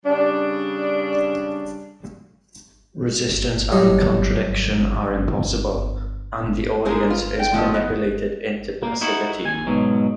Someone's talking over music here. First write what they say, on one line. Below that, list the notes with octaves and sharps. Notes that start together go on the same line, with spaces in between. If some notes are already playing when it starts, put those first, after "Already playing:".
Resistance and contradiction are impossible, and the audience is manipulated into passivity.
C#3 G3 D4
F#3 G3 D4 D#4
F3 G#3 A#3 G#4 A#4
F4 B4
D5 G5
F3 F#3 G#3 D#5
B3 D#4
A#3
D#4 E4 F#4
D#2 G#5
G#2 B2 F#3